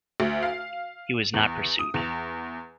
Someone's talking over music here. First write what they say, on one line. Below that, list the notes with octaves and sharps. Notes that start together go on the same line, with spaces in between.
He was not pursued.
D2
F5
E2
D#6
E2